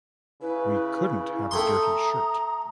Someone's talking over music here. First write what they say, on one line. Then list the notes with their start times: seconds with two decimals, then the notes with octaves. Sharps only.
We couldn't have a dirty shirt.
0.41 C#3 E4 B4
1.51 A3 G5 A#5 C6 D#6